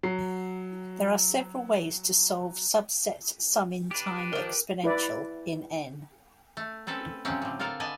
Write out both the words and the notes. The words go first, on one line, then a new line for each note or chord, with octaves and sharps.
There are several ways to solve subset sum in time exponential in "N".
F#3 C7
D4 G4 B4
D#3 F3 A#4
E4 B4 D5
A3
C4 C#4 A4 B4 C5
C#3 F#3 G#3 A3 C4 C#4
A2 D3
F4 A4 A#4 F5 F#5
D3 B4 D#5 G#5 A5